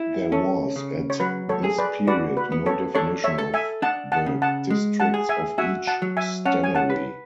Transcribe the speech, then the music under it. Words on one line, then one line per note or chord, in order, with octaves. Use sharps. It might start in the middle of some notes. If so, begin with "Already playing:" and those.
There was at this period no definition of the districts of each stannary.
Already playing: E4
C#4 A4
C#3
C#5
F#3 B4
A4 C#5
G#4
B4 D5
F#4 B4 D5
B4
B3
A4 C#5
D4 A4 C#5
C#5 E5
A4
E5 G#5
D4 F#5 A5
F#5 A5
C#3
F#5 A5
G#3
F#5 A5
G#4
E5 G#5
F#4 E5 G#5
F#5 A5
F#3
E5 G#5
C#4 F#5 A5
G#5
F#5 A5
B4